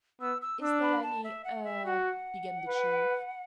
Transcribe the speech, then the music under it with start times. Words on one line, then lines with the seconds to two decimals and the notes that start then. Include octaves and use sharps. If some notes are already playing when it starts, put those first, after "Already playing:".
"Is there any--er--?" began the Chief.
0.21 B3 E6
0.42 E6
0.62 D4 E6
0.82 B5
1.03 A5
1.24 E5
1.44 F#5
1.64 E5
1.85 F#4 F#5
2.68 B4